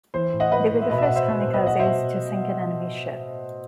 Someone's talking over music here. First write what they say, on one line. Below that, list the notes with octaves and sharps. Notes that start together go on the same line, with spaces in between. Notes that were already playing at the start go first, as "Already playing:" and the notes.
They were the first "kamikazes" to sink an enemy ship.
E3 C5
A2
D#5 F#5
E3 B4 D#5
A2
E5
B2 B4 D#5
E5
D#5 F#5
B2
C5 E5
B2 C5
C5
B2
B4 D#5
B2 D#5 F#5
C5 E5
B2